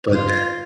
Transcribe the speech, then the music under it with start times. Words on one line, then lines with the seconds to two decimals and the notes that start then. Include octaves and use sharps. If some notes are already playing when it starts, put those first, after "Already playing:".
But then,
0.14 F4